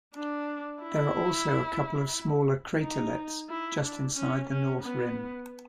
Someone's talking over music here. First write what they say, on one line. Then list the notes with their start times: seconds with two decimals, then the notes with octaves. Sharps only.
There are also a couple of smaller craterlets just inside the north rim.
0.15 D4
0.82 E4
2.82 D#4
3.49 E4
3.82 D4
4.15 C#4
4.49 C#4
4.82 B3